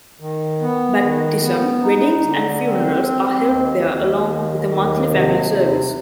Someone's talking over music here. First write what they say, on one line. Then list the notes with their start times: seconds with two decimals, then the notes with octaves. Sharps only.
Baptism, weddings and funerals are held there along with a monthly family service.
0.20 D#3
0.61 B3
1.01 D#3
1.43 B3
1.83 D#4
2.24 D3
2.64 C4
3.06 C4
3.47 D#2
3.87 D#2
4.28 D#3
4.68 D#2
5.09 C3
5.50 C3